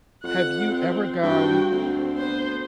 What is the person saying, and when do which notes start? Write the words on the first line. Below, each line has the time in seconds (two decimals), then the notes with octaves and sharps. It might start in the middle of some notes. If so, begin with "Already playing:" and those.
Have you ever gone
0.24 F2 F#5
0.71 C4
1.23 G2 F#4 G5
1.72 D2 C4
2.16 B3 C5